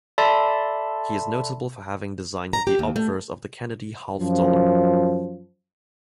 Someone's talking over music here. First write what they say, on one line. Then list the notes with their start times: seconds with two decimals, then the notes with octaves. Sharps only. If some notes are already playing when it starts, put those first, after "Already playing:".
He is notable for having designed the obverse of the Kennedy Half Dollar.
0.18 A4 D5 E5 A5 B5 C6
2.53 A#5
2.67 G4
2.79 D#2
2.96 A3
4.18 F#2 F3